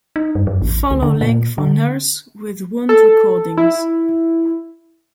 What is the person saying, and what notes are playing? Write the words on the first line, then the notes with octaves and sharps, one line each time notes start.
Follow link for Nurse with Wound recordings.
D#4
G2
F#2
A1
D2
D3
A#2
D3
A4
E4